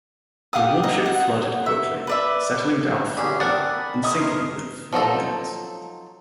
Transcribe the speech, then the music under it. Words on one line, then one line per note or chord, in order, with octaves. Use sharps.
The warship flooded quickly, settling down forward and sinking within four minutes.
G4 F5 F#5 D#6
D#4 D#5
F#5
E5
B4 D5 E5
A1 D3 C#4 G4 G#4 B5
C4 A#4 D5 F#5 G#5 A5 D#6
B5
D#3 A3 C#4 D#5 D#6 G#6
D#4 A#4 C6
F3 F#3 D#4 A4